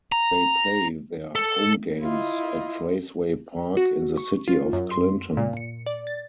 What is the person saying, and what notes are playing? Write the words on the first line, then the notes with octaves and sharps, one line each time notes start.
They play their home games at Traceway Park in the city of Clinton.
A#5
A4
E4 F4 D#5
F#4
C#6
F4
F#2
C6
A#2
C#7
D5
A6